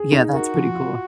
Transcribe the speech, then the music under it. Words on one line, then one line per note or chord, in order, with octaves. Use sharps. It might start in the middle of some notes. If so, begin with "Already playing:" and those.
Yeah, that's pretty cool.
Already playing: G#4
D#4
F#4 A#4
F3
F4